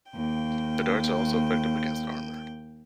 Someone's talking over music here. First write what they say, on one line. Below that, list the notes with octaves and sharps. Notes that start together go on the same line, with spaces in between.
The darts are also effective against armour.
D#2 G5